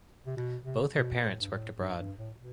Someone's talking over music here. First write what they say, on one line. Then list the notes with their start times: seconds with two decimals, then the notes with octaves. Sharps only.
Both her parents worked abroad.
0.26 C3
0.37 B2
0.65 C3
0.94 B2
1.22 A2
1.40 G2
1.51 A2
1.79 G2
1.99 G2
2.17 A2
2.37 B2